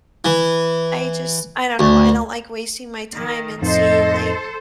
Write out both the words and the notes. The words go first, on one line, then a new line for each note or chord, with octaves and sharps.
I just I don't know. I don't like wasting my time and seeing, like
E3
D2
D#3
F2 A2 D#4 A4 C5 D#5